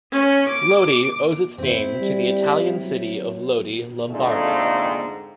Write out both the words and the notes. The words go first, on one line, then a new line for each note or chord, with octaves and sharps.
Lodi owes its name to the Italian city of Lodi, Lombardy.
C#4
D6
C4 E4
G3
F#3
F2 G#2 D3 A3